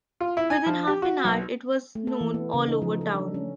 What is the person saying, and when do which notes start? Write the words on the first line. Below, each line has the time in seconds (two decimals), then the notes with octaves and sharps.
Within half an hour it was known all over town.
0.21 F4
0.37 E4
0.50 G#5
0.66 F3
0.87 G4
1.02 F#4
1.24 B1
1.95 A3
2.07 A4
2.21 E3
2.34 B3
2.54 C#3
2.68 D#4
2.82 F3
3.01 A4
3.14 D4
3.34 C#4